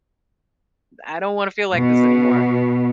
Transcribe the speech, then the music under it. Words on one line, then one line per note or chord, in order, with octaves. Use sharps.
I don't wanna feel like this anymore."
B2